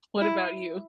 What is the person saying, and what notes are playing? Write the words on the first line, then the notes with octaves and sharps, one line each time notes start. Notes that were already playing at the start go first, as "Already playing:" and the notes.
What about you?
E4